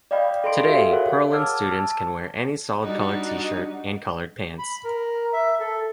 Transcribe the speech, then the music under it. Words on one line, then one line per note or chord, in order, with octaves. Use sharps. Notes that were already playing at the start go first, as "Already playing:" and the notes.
Today, Pearland students can wear any solid color t-shirt and colored pants.
D5 D#5 F5 G5 B5
A4 D#5 B5 C6 D7
F#4 G4 E5 F5 G5
G#4 A#4 C#5 F#5
A5 D6 E6 F6 G#6
A5
G3 D4 D#4 F#4
B5
A#4
E5
A4